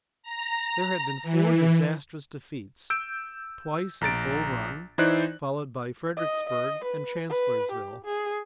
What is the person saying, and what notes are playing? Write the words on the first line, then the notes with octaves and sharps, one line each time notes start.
There had been four disastrous defeats--twice at Bull Run, followed by Fredericksburg and Chancellorsville.
A#5
E3
E6 G6 D7
A#1 A#5 A6 D7
E3 D#4 E4 C5 D5 F#6
D#5
D#5
B4
B4
G4
G#4